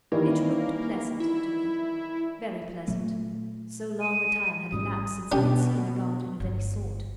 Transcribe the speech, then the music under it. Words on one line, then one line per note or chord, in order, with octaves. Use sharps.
It looked pleasant, to me--very pleasant, so long a time had elapsed since I had seen a garden of any sort.
D#3 E3 G3 A#3
E4
A#2 F#3 A3
D#7
A1 G#2 G3 D#6
B2 C#4 D4 G4
G1